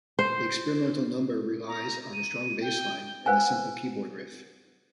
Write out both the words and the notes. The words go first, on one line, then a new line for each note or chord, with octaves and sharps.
The experimental number relies on a strong bass line and a simple keyboard riff.
C5
A#5
D#7
G5
B4 C5 F5 F#5 G#5